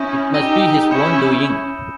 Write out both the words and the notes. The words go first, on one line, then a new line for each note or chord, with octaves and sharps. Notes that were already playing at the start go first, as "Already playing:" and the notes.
It must be his own doing.
Already playing: C#4 E4 G#5 D#6 G6 A#6
D#4 G4 E6 A#6 D#7 G7
C#4 E4 B5 E6 G6 C#7 E7